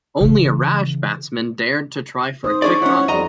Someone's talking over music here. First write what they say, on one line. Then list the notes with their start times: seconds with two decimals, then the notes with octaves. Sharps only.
Only a rash batsman dared to try for a quick run.
0.21 C#3 E3
2.44 D#4 C5 D#6
2.62 D4 G#4 D5 C#6
2.82 C#4 E4 C#5 F#5
3.08 F2 G3 D#5 A#5